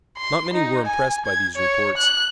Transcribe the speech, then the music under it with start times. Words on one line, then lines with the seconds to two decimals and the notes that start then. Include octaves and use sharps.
Not many were impressed by these reports.
0.18 C6
0.53 D#4
0.86 G#5
1.26 G#6
1.56 C#5
1.97 F#6